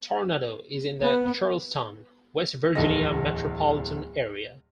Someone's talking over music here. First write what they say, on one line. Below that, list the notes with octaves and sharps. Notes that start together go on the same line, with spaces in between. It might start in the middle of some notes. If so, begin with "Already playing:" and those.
Tornado is in the Charleston, West Virginia metropolitan area.
B3
D1 E2 B3 A4 D#5 A#6